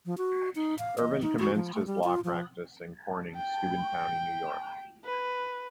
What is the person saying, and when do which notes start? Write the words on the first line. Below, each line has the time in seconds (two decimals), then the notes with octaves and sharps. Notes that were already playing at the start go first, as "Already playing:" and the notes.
Irvine commenced his law practice in Corning, Steuben County, New York.
0.06 F3
0.18 F#4
0.55 D#4
0.79 F5
0.98 D#5
1.22 D#4
1.39 F#4
1.55 F3
1.74 A3
1.87 G3
2.04 F4
2.24 F3
3.36 G5
5.05 B4